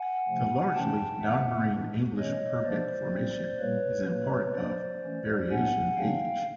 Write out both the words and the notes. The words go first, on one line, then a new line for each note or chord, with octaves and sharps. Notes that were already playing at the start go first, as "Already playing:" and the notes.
The largely non-marine English Purbeck Formation is in part of Berriasian age.
Already playing: F#5 G#5
C3 F3 A3
C3 E3 A3 C#4 G5 A5
C3 D#3 F#3 B3 E5 F#5
A2 E3 G#3 B3 D4
E3 A3 C#4 C#5 D#5
F3 A#3 D4 C5 D5
A#2 G3 C4
A#2 G3 A#3 B4 C#5
A#2 F#3 A#3 B4 C#5
F3 A#3 D4 C5 D5
E3 A3 C#4
A2 F#3 B3 D4 F#5 G#5
C#3 F#3 A#3 D4 F5 G5